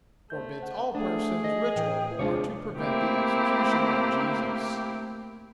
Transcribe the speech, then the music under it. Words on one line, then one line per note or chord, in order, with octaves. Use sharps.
Forbids all persons, rich or poor, to prevent the execution of Jesus.
A3 C5 G6
F#5
A3 D4 G#4
D#5
A2 E3 G5
D#2 C3 G#3 D4 F4 C#5 D6
A3 A#3 C4 E4 G4